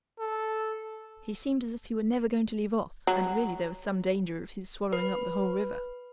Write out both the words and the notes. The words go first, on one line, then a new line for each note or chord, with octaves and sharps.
He seemed as if he were never going to leave off, and really there was some danger of his swallowing up the whole river.
A4
F#3
B4